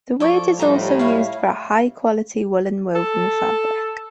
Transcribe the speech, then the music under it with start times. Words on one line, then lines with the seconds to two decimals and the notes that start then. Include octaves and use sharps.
The word is also used for a high quality woolen woven fabric.
0.20 F3 A4 C#5 D5
0.59 A2 G3 D#4 C5 A#5
0.99 E4 C#5 F5
2.95 A4